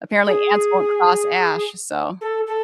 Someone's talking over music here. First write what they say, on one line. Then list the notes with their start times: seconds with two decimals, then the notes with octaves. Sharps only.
apparently ants won't cross ash so
0.27 G#4
2.21 A4
2.47 A4